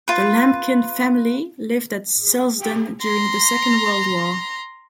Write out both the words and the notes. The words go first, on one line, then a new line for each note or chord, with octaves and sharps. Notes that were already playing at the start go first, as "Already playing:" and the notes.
The Lampkin family lived at Silsden during the Second World War.
F4 B4
A#5 C6